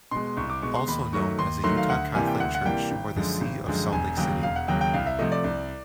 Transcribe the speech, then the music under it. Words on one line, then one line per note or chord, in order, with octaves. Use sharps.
Also known as the Utah Catholic Church or the See of Salt Lake City.
B2 G#3 C6
C2 C#6
D6
B2 G#3 C#6
C6
D#2 B5
D#3 F#3 A3 C#6
D#2 C6
D#3 F#3 A3 C6
F5
D2 F#5
C3 E3 G3 A#3 G#5
G5
D2 F#5
F#5
C3 E3 G3 A#3 G5
G#1
F#2 D3 F3 G#3
G#1
F#2 D3 F3 G#3
E1 G#5
D#2 C#3 F#3 G5
E1 F5
F#5
D#2 C#3 F#3 G5
G5
C2 F5
E5
C3 F3 A3 D#5
D5
C2